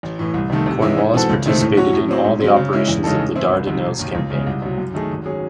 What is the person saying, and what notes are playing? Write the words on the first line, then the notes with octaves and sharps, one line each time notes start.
"Cornwallis" participated in all the operations of the Dardanelles campaign.
A1
A2 E3
C2
C3 D#3 A3
C3
E3 G#3 C#4 E4
G#2
E3 C4 F#4 A4
C#2
C3 D#3 A3 C4
A2
F#3 C#4 F#4 C#5
A2
F#3 C4
G#2
F#3 C4
C#3
G#3 C#4 E4
E2
C#3 G#3 D#4 A4
A2
E3 C4 E4
C2
C3 D#3
E1
D#2 D#3
C#2
C#3 G#3
C2
C3 F#3
F#2
D#3 A3 D#4 G#4
G#1
F#3 C#4 G#4